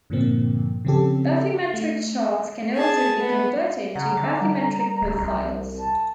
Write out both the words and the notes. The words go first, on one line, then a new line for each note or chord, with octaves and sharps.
Bathymetric charts can also be converted to bathymetric profiles.
G2 A#2 D3 F3 A#3 C4
C#3 F3 C4 C#4 G4 A4
A3
G#4 A5
B3
C#3 F#5 A#5
D3 D6
G3
D1
C2
A5